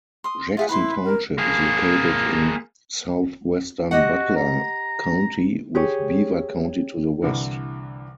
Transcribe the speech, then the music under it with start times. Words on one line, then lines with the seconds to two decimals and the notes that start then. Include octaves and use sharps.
Jackson Township is located in southwestern Butler County, with Beaver County to the west.
0.24 C6 D#6
0.57 F4 G#4 E5 F#5
0.69 E4 B4 B5 C6
1.04 A#4
1.38 A#3 G#4
3.91 F#4 G4 D#5 F#5
4.35 A#5
5.75 G4 G#4 C#5
7.22 C2 D3 E3